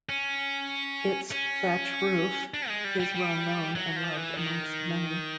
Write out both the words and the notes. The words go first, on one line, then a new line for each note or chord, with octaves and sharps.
Its Thatch Roof is well known and loved amongst many.
C#4
C#4
D4
G#3
G3
G3
G3
F#3
F3
E3
D#3